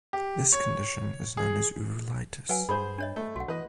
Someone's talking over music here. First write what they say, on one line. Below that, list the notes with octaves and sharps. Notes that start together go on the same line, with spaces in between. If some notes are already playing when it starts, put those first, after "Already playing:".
This condition is known as uvulitis.
G4
C#5
G#4
F#3 B4 F#5 G#5
G2 G#4 C5 B5
D4 C#5 D#5
A3
B1 F#4 F#5
E3 B4 D#5